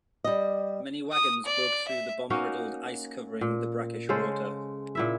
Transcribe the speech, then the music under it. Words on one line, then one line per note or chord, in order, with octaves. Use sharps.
Many wagons broke through the bomb-riddled ice covering the brackish water.
G3 D#5
D#6
D5
E5
A#3 C#4 D#4 F#4
A#2
C#3 G#3 A4 C5
A#2 E4 E5